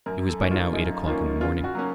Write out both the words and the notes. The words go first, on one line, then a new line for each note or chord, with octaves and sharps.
It was by now eight o'clock in the morning.
F#2 A#4
A4
D#3 A#3 C#4
F4
F#2 D#4
D#3 A#3 C#4 F4
C#3 F4
F#4
F#3 A#3 C#4